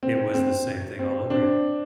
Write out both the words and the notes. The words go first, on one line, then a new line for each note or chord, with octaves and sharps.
it was the same thing all over again.
C4
C4
C4
C4 D4